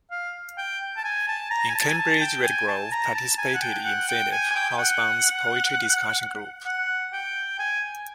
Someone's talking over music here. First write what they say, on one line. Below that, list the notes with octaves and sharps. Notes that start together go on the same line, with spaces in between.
In Cambridge Redgrove participated in Philip Hobsbaum's poetry discussion group.
F5
G5
A5
G#5
A5
A#5
G#5
A5
G#5
A5
G5
G#5
A5
A#5
A5
G#5
F#5
G5
F#5
G5
G#5
G#5
G5
G5
F#5
F#5
G5
G#5